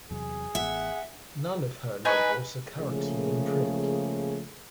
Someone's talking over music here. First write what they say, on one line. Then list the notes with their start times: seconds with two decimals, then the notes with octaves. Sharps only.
None of her novels are currently in print.
0.11 E2 C3 F#3 G#4
0.55 A1 A2 B3 E5 F#5
2.05 D#4 B4 G#5 C#6
2.78 C#3 F3 A3 A#3 G#4